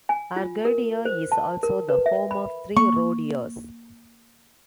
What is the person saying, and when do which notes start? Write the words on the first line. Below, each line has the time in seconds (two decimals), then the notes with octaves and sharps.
Arcadia is also the home of three rodeos.
0.09 G#5
0.36 F4
0.65 A#4
1.05 C5
1.32 A5
1.63 A#4
1.89 B4
2.06 E5
2.31 B5
2.76 A#3 C#6